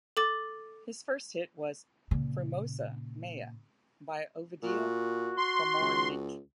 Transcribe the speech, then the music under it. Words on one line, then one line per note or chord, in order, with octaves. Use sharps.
His first hit was "Frumoasa mea" by Ovidiu Komornyc.
A4 D6 A6
A#2 C#3
A#2 F#4
C6
C#2